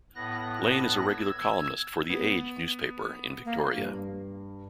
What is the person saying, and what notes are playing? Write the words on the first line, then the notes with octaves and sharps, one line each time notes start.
Lane is a regular columnist for "The Age" newspaper in Victoria.
A2 B3 F#6 A#6
E6 G#6
B3
A#3
G2